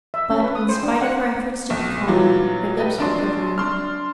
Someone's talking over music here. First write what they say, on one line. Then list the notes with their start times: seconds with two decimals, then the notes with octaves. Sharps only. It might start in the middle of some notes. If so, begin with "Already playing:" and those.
But, in spite of her efforts to be calm, her lips were quivering.
0.14 E5
0.31 C#4
0.43 B4
0.55 D#6
0.69 C5
0.83 D4
1.01 F#5
1.70 B1
2.08 A#2 D#3 E3 F#3 B3 F4
2.78 G4 B4 D#5
2.98 A#1 D4 C6
3.58 D4 C6 F6